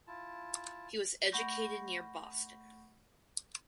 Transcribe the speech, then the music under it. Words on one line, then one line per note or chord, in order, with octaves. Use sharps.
He was educated near Boston.
E4 F4 A5
A3 F#5 B5 C#6 G6 A#6